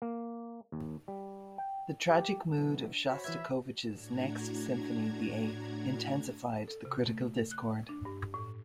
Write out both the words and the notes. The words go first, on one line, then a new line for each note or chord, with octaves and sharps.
The tragic mood of Shostakovich's next symphony, the Eighth, intensified the critical discord.
A#3
D#2
G3
G5
G4
B2 E3 F#3 D4
F#4 C5 C#5 B5
E3 B4 E5 G#6
A2 D4 F#4 A#5 G#6
A4
C3
A3
F#6
D4
G2
A2